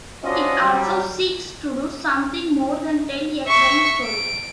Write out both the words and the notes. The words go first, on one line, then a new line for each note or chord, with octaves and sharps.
It also seeks to do something more than tell a crime story.
C#4 D4 F4 F#4 C5 D#5
F#3 G3
E5 C#6
D7